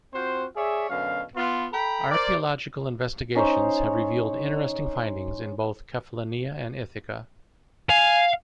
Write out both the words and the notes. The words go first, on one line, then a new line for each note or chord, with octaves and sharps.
Archeological investigations have revealed interesting findings in both Kefalonia and Ithaca.
C4 F4 F#4 C5
G#4 C#5 D5 E5
F#2 B2 D3 F5
B3 F4
A4 G5 A#5 B5
A#4 C5 D5
C#4 D#4 C5 C#5
F5 G#5